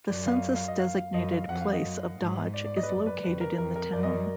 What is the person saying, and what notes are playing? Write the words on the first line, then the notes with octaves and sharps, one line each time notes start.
The census-designated place of Dodge is located in the town.
F#2 D5
F5
F5
D#5
F5
F5
F#2 D#5
F5
F2 F#5
F5
D#5
F#2
G#2
D5
D5
D#5
B4
F#2 D5
B4
F2 B4
A#4
F2 A#4
A#4
F#2 D5
D#5
D5